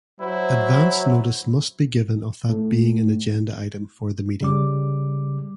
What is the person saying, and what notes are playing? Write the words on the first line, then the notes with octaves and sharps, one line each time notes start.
Advance notice must be given of that being an agenda item for the meeting.
F#3 E4 C5
A2
C#3 G3 D6